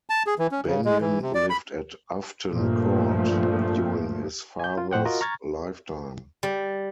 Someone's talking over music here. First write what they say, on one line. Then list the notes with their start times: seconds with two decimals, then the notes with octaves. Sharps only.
Benyon lived at Ufton Court during his father's lifetime.
0.10 A5
0.27 G#4
0.39 E3
0.52 C#4
0.67 C#3
0.85 G#3
1.01 E3
1.22 C3
1.35 D5
1.50 B5
2.53 G2 A#2 F3 A3
4.60 G#5 G6
4.78 F4
4.91 A2 C5 F#5 G5
5.05 F4 F#4 A#4 D#5
5.21 A#5 C#6 F6 G#6 A6
6.43 G3